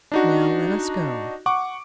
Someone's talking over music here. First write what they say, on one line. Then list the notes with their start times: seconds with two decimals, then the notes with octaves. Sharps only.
Now let us go.'
0.12 D4 D#4 F#4
1.46 F#5 C#6 D6